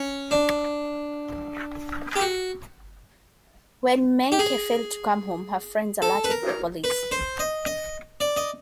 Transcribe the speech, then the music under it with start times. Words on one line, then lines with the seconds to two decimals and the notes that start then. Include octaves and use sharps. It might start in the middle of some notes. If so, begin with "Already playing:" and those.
When Menke failed to come home, her friends alerted the police.
Already playing: C#4
0.31 D4
2.16 G4
2.21 F#4
4.32 G4
4.39 G#4
6.02 A4
6.24 B4
6.30 A#4
6.84 B4
7.11 C5
7.39 D#5
7.66 D#5
8.20 D5
8.37 D#5